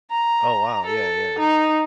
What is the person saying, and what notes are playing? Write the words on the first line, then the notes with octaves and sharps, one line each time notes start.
Oh, wow, yeah, yeah.
A#5
A4
D#4